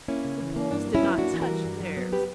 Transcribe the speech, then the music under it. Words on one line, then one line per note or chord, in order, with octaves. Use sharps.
The Poles did not touch theirs.
A#3 C#4 E4
C#3
E3
A#3
G2 D4
F#3
C#4 E4
B3
A#3 D4 F#4
E3
F#4 A#4
G3
G2
F#3
B3
G4 B4